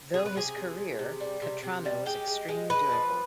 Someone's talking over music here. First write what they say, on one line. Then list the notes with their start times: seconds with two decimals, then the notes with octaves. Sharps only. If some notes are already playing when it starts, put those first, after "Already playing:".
Though his career, Cattrano was extremely durable.
0.14 C3 G#4
0.26 B4
0.35 C3 G#4
0.57 C3
0.78 C3
0.99 C3
1.20 G3
1.42 C3
1.63 C3
1.85 G3
2.06 G#3 G4
2.27 G#3
2.49 G#3
2.70 G#3 B4
2.91 F3